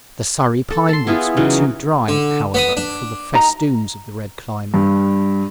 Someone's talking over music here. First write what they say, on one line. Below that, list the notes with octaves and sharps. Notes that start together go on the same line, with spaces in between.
The Surrey pine woods were too dry, however, for the festoons of the red climber.
A4
A5 C6
B3 E4 F4 G#4
C#3 E3 F#3 D#4
D3
B3 B5 D#6
D4
D#4 A#5
G2